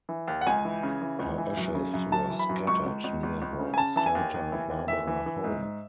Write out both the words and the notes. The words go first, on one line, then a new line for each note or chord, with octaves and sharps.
Her ashes were scattered near her Santa Barbara home.
E3
D#2
F#5
C#2 G#5
E3
C#3
E3
C#2
E3
F#2
C#3
F#2
F#2 A5
E3
B5
F#2
C#2 C#6
C#2
C#2
C#2
C#2
C#3
G#5
C#3 A5
E3 A5
G#5
D#2
D#2
E3
D#2
E3 E5
E3
E3
G#2
G#2